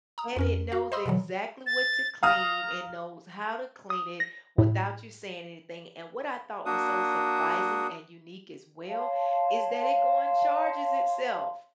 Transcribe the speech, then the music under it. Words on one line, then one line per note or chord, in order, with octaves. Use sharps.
And it knows exactly what to clean, it knows how to clean it without you saying anything and what I thought was so surprising and unique as well, is that it go and charges itself.
A#5 D#6
F2 C#4 A#4
F#4 F5
C5 D#5 B5 C6 D#6 E6
B2 D3 E3 F#3
A6
F5 A#5 D#6 F6
D#6
A#6
A2
A#3 D4 F#4 D#6
C#5 F5 A5 C6